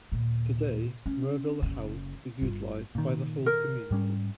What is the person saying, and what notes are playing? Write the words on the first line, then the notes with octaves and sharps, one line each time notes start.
Today Merville House is utilised by the whole community.
D#2 A#2
C#4
F#1 C#3
G1 F4
A#2 D#3
A#4
G#2 G3 C#4